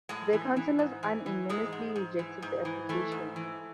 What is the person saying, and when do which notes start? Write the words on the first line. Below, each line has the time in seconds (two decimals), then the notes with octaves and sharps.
The councillors unanimously rejected the application.
0.09 A2 G#3
0.33 E3
0.56 E3
0.79 G#2
1.03 E3
1.26 E3
1.49 G#2 G#3
1.73 G#2
1.96 G#2
2.19 E3
2.42 G#2
2.65 E3
2.89 E3 A3
3.12 G#2
3.36 E3